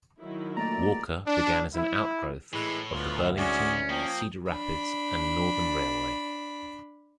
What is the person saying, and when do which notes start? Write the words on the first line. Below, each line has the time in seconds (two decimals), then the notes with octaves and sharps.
Walker began as an outgrowth of the Burlington, Cedar Rapids and Northern Railway.
0.19 D#3 F#3 E4
0.57 A#2 A3 A#3 D5 D#5 A#5
1.26 D4
1.74 E4
2.53 A2 E3 G#3 B4
2.94 D2 B3 F4
3.38 G#2 C#4 F#4 G#4 D5
3.90 F3 A#3 G5 D#6
4.50 D4 B5